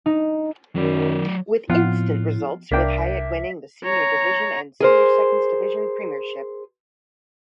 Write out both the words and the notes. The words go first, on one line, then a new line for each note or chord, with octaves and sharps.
With instant results with Highett winning the Senior Division and Senior Seconds Division premiership.
D#4
F#2 D#3 F#3 D5
A2 F3 B3 C4 F4 F#5
C2 A#3 D4 E5 G5
C#5 A#5
G#4 A#4 C5